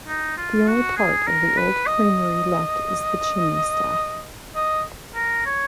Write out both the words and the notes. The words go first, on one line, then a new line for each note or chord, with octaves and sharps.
The only part of the old creamery left is the chimney staff.
D#4
F4
F#4
G#4
A#4
B4
D#5
D#5
A#4
C#5